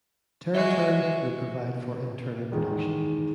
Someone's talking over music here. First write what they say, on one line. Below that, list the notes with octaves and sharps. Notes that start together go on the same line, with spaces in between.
Territory would provide for internal production.
G#3 F#4 E5
E2 D#3 G#3